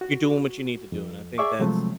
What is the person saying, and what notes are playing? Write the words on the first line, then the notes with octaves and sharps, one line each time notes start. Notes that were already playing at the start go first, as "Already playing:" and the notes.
you're doing what you need to do," and I think that's
F#4
F2
G#4 D5 E5 C#6 D6
C3 F3 F#3 G#3 A3 C4